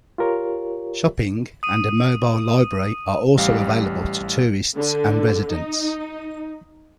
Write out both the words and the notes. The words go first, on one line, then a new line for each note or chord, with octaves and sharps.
Shopping and a mobile library are also available to tourists and residents.
F4 G4 A#4 C#5
D#6 D#7
A1 G3 F5
D3
D#4